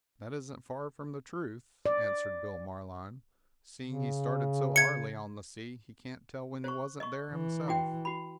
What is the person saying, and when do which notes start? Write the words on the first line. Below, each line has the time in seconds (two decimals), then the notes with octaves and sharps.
"That isn't far from the truth," answered Bill Marline, "seein' he started so arly on the sea he can't tell when he wasn't there himself."
1.86 D5
3.83 C#3
4.76 G#6 C#7
6.64 C5 C#6
7.00 D#5 C#6
7.32 E3
7.68 E4 F#4 G5
8.05 F#4 B5